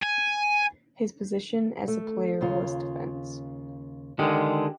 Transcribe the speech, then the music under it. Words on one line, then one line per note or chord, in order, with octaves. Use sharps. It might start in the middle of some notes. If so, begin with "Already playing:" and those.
His position as a player was defence.
G#5
A3
D#2 C#3 F4
D3 D#3 G#3 G4